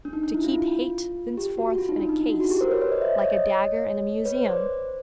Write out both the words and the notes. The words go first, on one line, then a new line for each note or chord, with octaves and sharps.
To keep hate thenceforth in a case, like a dagger in a museum!
D4
D#4
D4
E4
F4
G4
F#4
F4
D#4
D4
D#4
E4
F#4
F#4
G4
A#4 C5
B4 C#5
C5 D5
C#5 D#5
D5 E5
C#5 D#5
B4 C#5
C5 D5